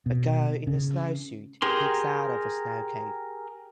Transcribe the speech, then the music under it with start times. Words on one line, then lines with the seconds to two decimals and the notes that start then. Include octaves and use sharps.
A girl in a snowsuit peeks out of a snow cave.
0.06 B2
0.67 C#3
1.62 G4 G#4 A#4 C6